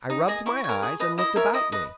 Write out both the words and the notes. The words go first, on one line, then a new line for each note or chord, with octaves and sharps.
I rubbed my eyes, and looked about me.
D#4
G#4 D#5
E4 C#6
A#4 C#5
G#4
B4 D#5
E4 D#5
A#4 C#5 E5
E4 D#5
B4 D#5